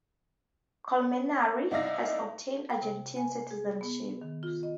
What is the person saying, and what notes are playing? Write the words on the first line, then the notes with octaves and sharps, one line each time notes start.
Colmenares has obtained Argentine citizenship.
C2 D#4 D5 E5 F5 A#6
G5
C3
G#5
G#4
B3
D#3
F4
D#5